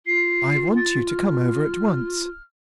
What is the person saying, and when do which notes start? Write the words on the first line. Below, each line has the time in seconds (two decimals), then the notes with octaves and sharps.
"I want you to come over at once."
0.06 F4 C7
0.76 A6
1.08 F6